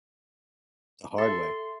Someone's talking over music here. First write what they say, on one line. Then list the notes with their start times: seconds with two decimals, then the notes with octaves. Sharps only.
The hard way
1.18 A4 E5 C6